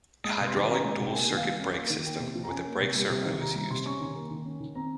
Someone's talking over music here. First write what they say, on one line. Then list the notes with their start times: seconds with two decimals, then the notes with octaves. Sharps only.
A hydraulic dual circuit brake system with a brake servo is used.
0.24 G#3 D#6
0.40 C3
0.47 C6
0.54 D#3
0.70 C#4 A#5
0.85 G#3
0.99 C3
1.05 G5
1.15 A#3 G#5
1.30 D#3
1.37 F5
1.45 G3
1.60 C#4 F5
1.75 A#3
1.90 D#3
2.05 A#3 G5
2.20 C3
2.35 F3
2.43 A#5
2.50 C#4 G#5
2.65 A#3
2.80 C3
2.95 G3
3.10 C3
3.25 D#3
3.40 C3 A#5
3.55 G3 A#5
3.70 C3 C6
3.85 C#4 C#6
4.00 D#3 G#5
4.08 A#5
4.16 A#3
4.30 D#3
4.45 C#4
4.60 D#3
4.75 C4 A#5